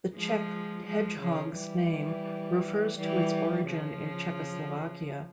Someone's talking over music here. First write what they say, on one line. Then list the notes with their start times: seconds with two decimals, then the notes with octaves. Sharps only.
The Czech hedgehog's name refers to its origin in Czechoslovakia.
0.15 F3 G#3
0.86 F3 G#3
1.21 C#3 F3
1.57 E3 G3
2.98 E3 G3
3.68 C#3 F3